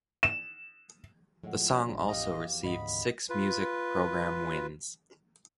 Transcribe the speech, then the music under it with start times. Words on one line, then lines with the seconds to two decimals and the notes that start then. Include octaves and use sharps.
The song also received six music program wins.
0.23 E7
1.44 A2 F3 G#3 F#5
1.72 G3 B3 C#4
1.88 A1 C#3 B3 D4
2.08 E2 G4 D#5 F5
2.64 D2 G#2 C#4 D#5 F#5 B5
3.30 F4 B4